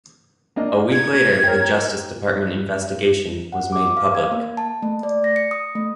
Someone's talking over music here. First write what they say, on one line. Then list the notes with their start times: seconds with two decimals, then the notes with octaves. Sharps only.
A week later the Justice Department investigation was made public.
0.56 A#3 D4 D#5
0.93 G#6
1.44 A#4 C#5 G5
3.52 F#5
3.73 D6
3.97 F5
4.15 G#6
4.32 A#3
4.57 A5
4.83 A3
5.03 D5
5.24 A#6
5.36 C#7
5.51 D#6
5.75 A3